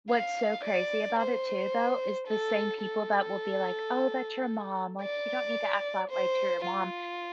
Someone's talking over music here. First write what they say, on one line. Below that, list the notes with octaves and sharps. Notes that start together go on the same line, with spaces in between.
What's so crazy about it too, though, is the same people that will be like, "Oh, that's your mom, like you don't need to act that way to your mom."
F5
D5
C5
A4
A4
D5
C5
F4